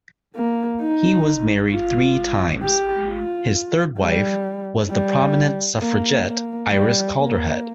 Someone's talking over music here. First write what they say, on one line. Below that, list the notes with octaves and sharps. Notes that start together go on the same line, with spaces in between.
He was married three times; his third wife was the prominent suffragette Iris Calderhead.
A#3
D#4
F4
G4
F4
G3
G3
A#3
A#3
G3
A#3